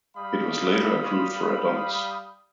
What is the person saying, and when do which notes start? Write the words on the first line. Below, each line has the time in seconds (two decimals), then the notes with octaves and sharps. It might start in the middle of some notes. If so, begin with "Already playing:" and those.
It was later approved for adults.
0.16 G3 F5 B5 D#6